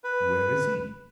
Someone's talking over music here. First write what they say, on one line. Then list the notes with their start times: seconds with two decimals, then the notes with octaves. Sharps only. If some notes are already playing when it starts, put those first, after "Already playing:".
"Where is he?"
0.04 B4